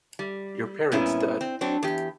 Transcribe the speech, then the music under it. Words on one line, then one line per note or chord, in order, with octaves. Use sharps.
Your parrot's dead.
G3
G2 A#2 B3 C#4 E4
C4
F#3 C4 D4
E2 G4